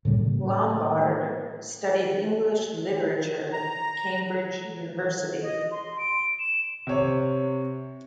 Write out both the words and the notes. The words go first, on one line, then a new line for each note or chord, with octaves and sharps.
Lombard studied English literature at Cambridge University.
A2 C#3 G3 A#3
A#5
D#5
C6
D7
E7
C3 C#5